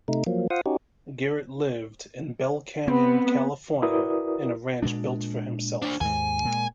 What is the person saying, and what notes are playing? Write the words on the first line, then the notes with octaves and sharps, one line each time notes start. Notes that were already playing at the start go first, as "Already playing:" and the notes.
Garrett lived in Bell Canyon, California in a ranch built for himself.
C3 A3 D#4
F3 F#3 A#3
F4 C5 F5 F#5 D#6
C#4 D#4 F#4 G4
B3 C4
E4 F#4 A#4 B4 D5 D#6
A#2 G#3 D4
D4 C5
D#2 G#2 G#5
A#2 G#3